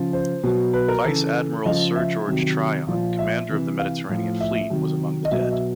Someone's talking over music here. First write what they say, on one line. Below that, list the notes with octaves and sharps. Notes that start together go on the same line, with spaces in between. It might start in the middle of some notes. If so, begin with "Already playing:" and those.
Vice-Admiral Sir George Tryon, commander of the Mediterranean Fleet, was among the dead.
Already playing: C#3 F3
C5
B2 F#3
B4
A#4
C#3 E3 A4
C#3 F3 D#5
E5
C3 D#3 F#3
A#2 F3
E5
C3 E3
F5
A2 F3
E5
E5
C3 D#3 F#3
D#5
B2 F#3 E5
D#5
E5